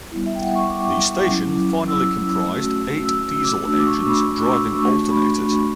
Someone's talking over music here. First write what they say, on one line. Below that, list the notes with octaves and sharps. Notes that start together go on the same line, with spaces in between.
The station finally comprised eight diesel engines driving alternators.
G3 B3 E4
E5
G5
F#5
C#6
D6
F#3 C#4 E4
E6
A3 C#4 F#4
E6
E6
D6
A3 D4 F#4 E6
D6
C#6
D6
B5
B5
C#6
E6
D6
A3 D4 F#4 C#6
B5